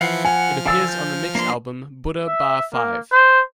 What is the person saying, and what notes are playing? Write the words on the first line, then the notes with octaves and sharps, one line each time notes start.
It appears on the mix album "Buddha Bar V".
E3 F3 E4 F5 F#5
F3 F#5 G#5 F6
D3 F5 G#5 E6 A6
G6
A#3 D4 C6
E5
A#3
C5